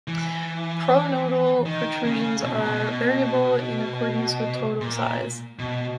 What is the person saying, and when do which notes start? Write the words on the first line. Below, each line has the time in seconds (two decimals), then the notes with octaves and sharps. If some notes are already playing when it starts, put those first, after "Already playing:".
Pronotal protrusions are variable in accordance with total size.
0.08 E3
1.65 D#3
2.05 C#3
2.43 B2
2.54 A#2
2.65 B2
4.81 A#2
5.59 B2